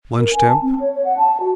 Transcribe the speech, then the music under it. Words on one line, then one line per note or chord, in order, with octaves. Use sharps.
Lunch Temp.
A#4
G#5
A5
C4
C#5
C#5
F#5
A5
F#4